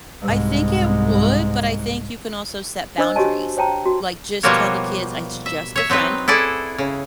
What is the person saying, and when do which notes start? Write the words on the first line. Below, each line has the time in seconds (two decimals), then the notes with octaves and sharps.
I think it would, but I think you can also set boundaries, like, just tell the kids, "I it's just a friend,
0.22 C2 G#2
2.98 D4 C5 D#5 E6
3.16 F#4 G4 C#5 D#5 G#5 A5
3.57 C5 C#5 G5 A5 A#5
3.86 F#4
4.43 B2 F3 G3 A#3 F#4 C#5
5.46 E5
5.76 C#5 E5
5.90 F#3 C4 D#4 B4
6.28 E4 G#4 A4 D5 F#5
6.78 C#3